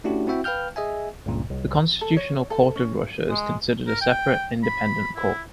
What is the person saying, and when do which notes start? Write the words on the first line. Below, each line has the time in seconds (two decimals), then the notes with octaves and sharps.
The Constitutional Court of Russia is considered a separate, independent court.
0.04 A3 C#4 D4 E4 F#4 G4
0.27 C4 E4 F#4 E5 G5
0.44 B4 F5 G5 F6 G6
0.76 G#4 D#5 E5 G#5
1.26 C#2 G2 A#2 C#3
1.50 C2
2.01 A4
2.17 C#5
2.50 A4
2.76 C#4
3.30 G#3
3.87 A#4
4.01 G5
4.63 B5
5.16 E4